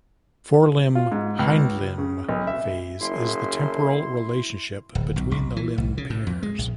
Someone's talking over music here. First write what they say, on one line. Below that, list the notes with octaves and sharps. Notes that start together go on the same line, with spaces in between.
Forelimb-hindlimb phase is the temporal relationship between the limb pairs.
F4
G#2
C#2
C#3
B1
E5
F#1 E4 C6
D1
B1
B1
E3
B1
C#3
A2
F2
G#3
A#1